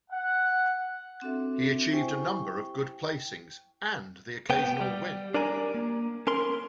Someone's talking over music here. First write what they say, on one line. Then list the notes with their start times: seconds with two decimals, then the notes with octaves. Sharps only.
He achieved a number of good placings and the occasional win.
0.10 F#5
1.22 C4 D4 F#4 A4 E5
1.92 E4 G4 C5 G5 G#5 C#6
2.38 G5
4.50 B3 G5
4.81 G3
5.34 D4 A#4 D5 G#5 A#5
5.75 A#3
6.27 C#4 A#4 C6